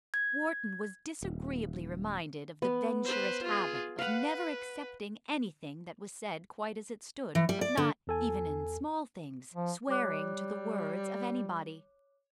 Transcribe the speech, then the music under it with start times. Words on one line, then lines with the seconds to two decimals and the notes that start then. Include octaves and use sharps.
Wharton was disagreeably reminded of the Venturist habit of never accepting anything that was said quite as it stood--of not, even in small things, "swearing to the words" of anybody.
0.14 G#6
1.23 D#1
2.62 B3
3.04 B4 C5
3.44 F4 G#4
3.99 B4 F5 F#5
7.35 E3
7.49 G3
7.61 D5
7.77 D3
8.07 E2 A4 G#5
9.54 F3
9.89 G3 C#5 D6 F#6